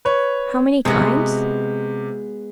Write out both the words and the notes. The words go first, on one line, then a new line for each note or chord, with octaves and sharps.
How many kinds?
B4 C#5
C3 G#3 B3 F#4